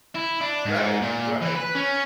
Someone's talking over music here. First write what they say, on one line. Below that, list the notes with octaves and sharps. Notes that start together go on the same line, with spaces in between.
Right. Right.
E4
D4
G#2
A#2
E3
B4
C#4